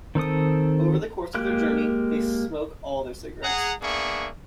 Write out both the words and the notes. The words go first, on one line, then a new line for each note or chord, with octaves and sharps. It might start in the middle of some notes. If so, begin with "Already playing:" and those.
Over the course of their journey, they smoke all their cigarettes.
D#3 C4 A4 D#6
G#3 A#3 G4 F#6
G#4 F#5 A#5
A#3 B3 D4 G#4 E5 C#6